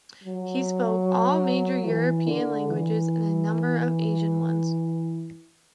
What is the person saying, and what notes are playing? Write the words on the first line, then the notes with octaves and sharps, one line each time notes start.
He spoke all major European languages and a number of Asian ones.
F#3
E3
D3
E3